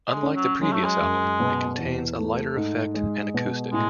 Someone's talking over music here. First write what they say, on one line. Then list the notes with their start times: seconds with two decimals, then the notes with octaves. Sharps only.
Unlike the previous album, it contains a lighter effect and acoustic.
0.10 G#3
0.23 C#4
0.36 F#3
0.61 F#3 G#3
0.73 A3
0.85 G#3
1.01 F#2
1.40 B2
1.78 E2
2.18 A3
2.56 G#2
2.94 G#3
3.34 B2
3.73 A2 G#3